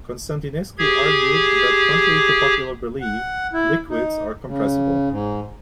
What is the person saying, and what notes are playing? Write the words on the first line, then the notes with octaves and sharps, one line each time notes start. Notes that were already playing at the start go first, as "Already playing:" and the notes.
Constantinescu argued that, contrary to popular belief, liquids are compressible.
G4 G#4 G#6
F#5
E4
D#4
C#3
G#2